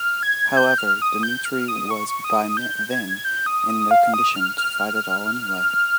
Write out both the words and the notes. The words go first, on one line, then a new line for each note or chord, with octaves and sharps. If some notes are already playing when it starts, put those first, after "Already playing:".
However, Dmitri was by then in no condition to fight at all anyway.
Already playing: F6
G#6
G6
F6
D#6
G6
F6
D#6
C#6
D#6
G6
G#6
G#6
G6
D#6
D#6
F5
D#6
F6
F6